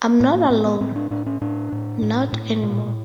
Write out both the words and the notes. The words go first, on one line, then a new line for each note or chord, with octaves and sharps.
I'm not alone... not anymore.
A2 A#3
A#3
A2 C4
B3
A2 C4
D4
A2 D4
C#4
A2 D4
A2
A2
A2
A#2